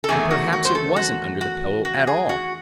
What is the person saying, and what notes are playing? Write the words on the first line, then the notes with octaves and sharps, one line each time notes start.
And perhaps it wasn't under the pillow at all....
A4
E2 D#3 F#3 A3 G#4
F#4
F#4
C5
A4
F#4
F#4
F#4
G#4
F#4